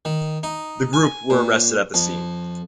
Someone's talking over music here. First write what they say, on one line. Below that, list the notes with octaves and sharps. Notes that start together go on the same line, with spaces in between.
The group were arrested at the scene.
D#3
D#4
G#5
A#2
F2